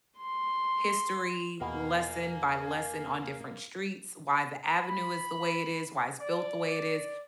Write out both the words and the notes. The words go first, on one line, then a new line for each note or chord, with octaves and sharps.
history, lesson by lesson, on different streets, why the avenue is the way it is, why it's built the way it is.
C6
E2 B2 A#3 B3 G#5
B5
D5